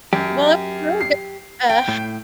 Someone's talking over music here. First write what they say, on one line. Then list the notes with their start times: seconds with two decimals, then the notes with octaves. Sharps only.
Well, it was really good, uh,
0.13 F#2 G4
1.01 C7
1.69 G5
1.89 A2